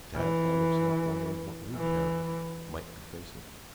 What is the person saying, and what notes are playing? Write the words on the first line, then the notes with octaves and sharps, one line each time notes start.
Tad found himself wondering what new peril might be facing them.
E3
E3